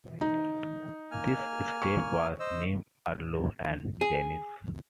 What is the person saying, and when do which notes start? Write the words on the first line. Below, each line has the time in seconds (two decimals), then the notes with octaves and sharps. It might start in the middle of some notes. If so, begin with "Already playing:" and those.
The strip was named Arlo and Janis.
0.21 D#4
1.11 A#3 G#5 F6
1.82 C#6
2.40 C5 D#5 E6
4.01 G#4